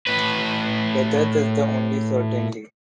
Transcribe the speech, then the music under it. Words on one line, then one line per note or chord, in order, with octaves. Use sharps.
The death is the only certainly.
A2 B4